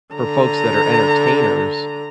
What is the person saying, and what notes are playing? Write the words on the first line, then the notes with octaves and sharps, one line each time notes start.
for folks that are entertainers,
D3 A#5